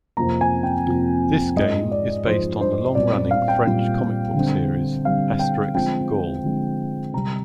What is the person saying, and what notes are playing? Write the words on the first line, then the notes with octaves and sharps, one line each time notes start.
This game is based on the long-running, French comic book series "Asterix the Gaul".
F2 C3 F3 A#3 A#5
G#5
G5
F2 C3 F3 A#3
G#2 F3 G#3 D#5
D5
G#2 F3 G#3 C5
C5
A#2 G3 C4 D5
D5
F5
G5
A#2 G3 C4
D3 G3 C4
D3 G3 C4 F5
G5
D3 F3 G#3 C4 G5
D3 F3 G#3 C4
C3 G3 C4 A#5